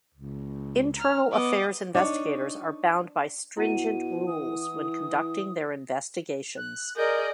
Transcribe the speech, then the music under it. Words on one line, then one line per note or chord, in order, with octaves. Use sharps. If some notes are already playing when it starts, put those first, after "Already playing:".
Internal affairs investigators are bound by stringent rules when conducting their investigations.
C#2
A#5 F6
B3 D#5 D6
D4 D#4 C#5
B2 E4 F#5 D#7
E3 D#6
F#6
G#4 A#4 D5 D#5 G6